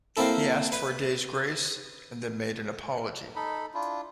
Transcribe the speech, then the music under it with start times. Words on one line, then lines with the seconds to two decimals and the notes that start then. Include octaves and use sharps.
He asked for a day's grace, and then made an apology.
0.17 A#3 C4 E4 A4
0.72 B4
3.36 D#4 A4 B5
3.74 D4 E4 F4